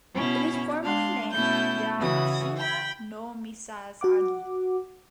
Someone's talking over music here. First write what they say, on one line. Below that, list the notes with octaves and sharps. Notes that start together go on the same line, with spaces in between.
It is formally named "Yamashina no misasagi".
B2 C#4 E4
G#3 D4 F5 C6
B2 A3 C#4 E4 G6
C#3 E3 F#4 D#6
G5 B5
F#4 F#5 D6